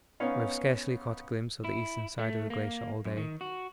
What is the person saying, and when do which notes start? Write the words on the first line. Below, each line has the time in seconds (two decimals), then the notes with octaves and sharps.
We have scarcely caught a gimpse of the eastern side of the glacier all day.
0.20 B3 C#4 D#4 C#5 F5
1.65 E4
2.19 A3
2.50 A#3
3.05 F#2
3.17 D#3
3.41 F#4